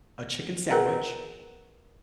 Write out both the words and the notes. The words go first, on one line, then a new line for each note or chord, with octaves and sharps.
a chicken sandwich.
G#4 A#4 B4 F#5 G5 A#5